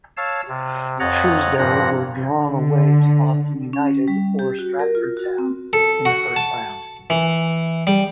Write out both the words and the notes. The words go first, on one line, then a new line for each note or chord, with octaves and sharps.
Shrewsbury were drawn away to Boston United or Stratford Town in the first round.
C#5 F5 A5 E6
C3
F2 C#5 D#5 F#5 A#5 A6
G2 A#2 F3 F#5 A#6
D3
C#4
G3
G4
F#4
A#4
F4
F#4
C4
A4
F#4
A5
E3
G3